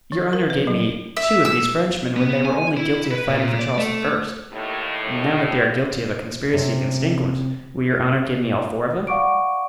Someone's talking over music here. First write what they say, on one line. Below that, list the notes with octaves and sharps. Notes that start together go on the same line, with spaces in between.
"Your honor gave me two of these Frenchmen when they were only guilty of fighting for Charles I. Now that they are guilty of a conspiracy against England will your honor give me all four of them?"
F3
A#4
B4
F#3
E5
E6
B3
G#5
E4
B4
A#2
D5
A3
D#2 A2
C3 C4 C#4
D5 F5 F#5 C#6 D6 D7